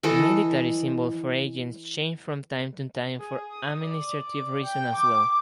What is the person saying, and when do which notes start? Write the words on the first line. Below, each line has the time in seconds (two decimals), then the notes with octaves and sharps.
Military symbols for agents change from time to time for administrative reasons as well.
0.03 E3 A4 D#5
3.20 G#4
3.52 D#6
3.83 D5
4.22 D5
4.64 G5
4.95 D6